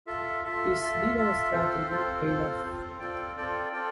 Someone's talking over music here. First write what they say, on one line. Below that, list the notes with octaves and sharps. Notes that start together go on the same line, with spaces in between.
This legal strategy paid off.
F4 A4 E5
F4 A4 E5
F4 A4 E5
F4 A4 E5
C4 F4 A4 C5
C4 F4 A4 C5
C4 F4 A4 C5
C4 F4 A4 C5
C4 F4 A4 D5 G5
C4 F4 A4 D5 G5
C4 F4 A4 D5 G5